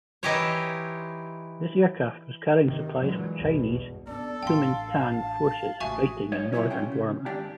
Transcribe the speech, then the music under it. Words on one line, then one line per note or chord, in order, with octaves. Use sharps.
This aircraft was carrying supplies for Chinese Kuomintang forces fighting in northern Burma.
E3 D#4 E4 G4 C5 C#5
C3 D#3
A#2 D3 E3 F#3 G#3
B1 E2 G2 B2
B3 D4 A4 D5
A1 D4 F5 G5 C6
A5
F5
A1 F3 F#4 G#4 E5 G#5 C#6
F#2 C#5 D#5
C3 F#3 A#3 E4 G#4 C#5
C#4 F4 F#4 G5
C#3
G#2 D#3 D4 G4